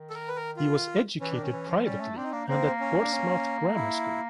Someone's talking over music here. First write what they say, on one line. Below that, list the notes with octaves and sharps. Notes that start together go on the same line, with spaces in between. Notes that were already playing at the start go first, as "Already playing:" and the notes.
He was educated privately and at Portsmouth Grammar School.
Already playing: D#3
A4
A#4
B4
A#4
F4
E3 C#4
D4
D#3
C#4
E3
F3
G3 C#4
A3
C4 D4
D#4
A#3 D4
A#3 C4
C#4
D4
C#4
E4